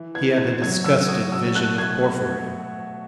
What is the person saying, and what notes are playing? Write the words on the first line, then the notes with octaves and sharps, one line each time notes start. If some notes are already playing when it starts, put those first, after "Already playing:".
He had a disgusted vision of Porfiry.
Already playing: E3
B3 G#6
G#2 G#6
F#3 G#6
F#3 E6
F#4 D#6
B2 E6
A3 F#6
B2 G#6